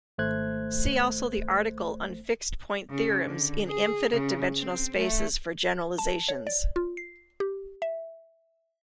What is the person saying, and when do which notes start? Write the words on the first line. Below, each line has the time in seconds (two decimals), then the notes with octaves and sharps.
See also the article on fixed point theorems in infinite-dimensional spaces for generalizations.
0.18 G#1 A3 C5 F#6 G#6
2.89 C#3
3.25 D3
3.67 G#4
4.11 C#3
4.58 C4
4.96 A3
5.98 A5
6.29 C#5
6.47 D5
6.76 F4
6.97 C7
7.40 G4
7.82 E5